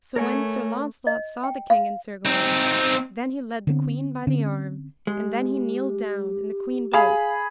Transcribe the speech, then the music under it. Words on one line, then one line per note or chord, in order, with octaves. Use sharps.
So when Sir Launcelot saw the king and Sir Gawaine, then he led the queen by the arm, and then he kneeled down, and the queen both.
A3 A#4 C#5 G#5
D#5
G5
F5
C4 D#4
D3 B3 C4
D3 C4 C#4
G#3 G4
G#4 F5 A5 B5